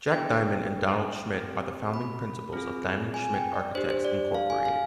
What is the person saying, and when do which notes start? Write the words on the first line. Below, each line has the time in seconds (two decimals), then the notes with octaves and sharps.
Jack Diamond and Donald Schmitt are the founding principals of Diamond Schmitt Architects Incorporated.
0.12 B3 D4 G#4 G5
1.33 C4 G4
1.94 B5
2.53 C4 F4 G#4
3.14 G#5
3.34 G5
3.54 D5
3.75 D4 G4 C5
3.90 C5
4.05 D5
4.35 F5
4.50 G#5
4.65 F5